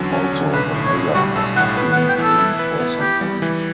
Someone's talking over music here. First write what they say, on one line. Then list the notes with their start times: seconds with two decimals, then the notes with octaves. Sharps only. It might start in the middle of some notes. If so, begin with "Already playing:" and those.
Also the nala has not been cleaned for sometime.
Already playing: E2 D3 F#3 C#4
0.12 C#4
0.33 D3
0.53 B1 B4
0.74 A2
0.85 C#5
0.95 B1
1.15 G3 F#4
1.36 B1 A4
1.56 A2 F#5
1.77 B4
1.93 F#5
1.97 B3
2.08 G5
2.18 E3 A4
2.39 E4
2.59 B4
2.80 B3
3.00 E4 G4
3.21 G3
3.42 E3